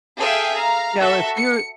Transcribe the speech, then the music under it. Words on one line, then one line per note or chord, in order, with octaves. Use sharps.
You know, if you're
G#4 A4 E5 F5 G5
F5 A#5
F#4 A4 E5
C#7